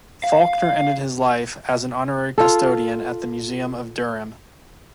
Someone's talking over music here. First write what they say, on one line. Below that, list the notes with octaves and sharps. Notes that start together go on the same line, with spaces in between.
Falkner ended his life as an honorary custodian at the museum of Durham.
F5
F4 A4